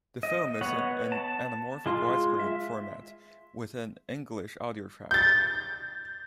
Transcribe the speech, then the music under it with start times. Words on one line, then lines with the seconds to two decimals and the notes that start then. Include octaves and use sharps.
The film is in anamorphic widescreen format with an English audiotrack.
0.23 D#5
0.61 B3 C#5 F#5
1.12 A5
1.86 G#3 F4 C6
2.40 E5
5.11 G6 A6